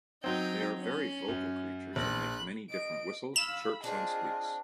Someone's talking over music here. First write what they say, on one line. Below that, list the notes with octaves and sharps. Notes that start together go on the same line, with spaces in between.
They are very vocal creatures and make many different whistles, chirps, and squeaks.
F#3 C4 D#4 G5
C#4
F#2
A#1 B5 F#6
D#5 D7
F5 B5 E6 E7
C4 D4 F4 G#4 D#5